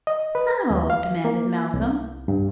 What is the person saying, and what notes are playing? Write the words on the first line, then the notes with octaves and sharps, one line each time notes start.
"How?" demanded Malcolm.
D#5
B4
D#2
F5
A#3
C2
G2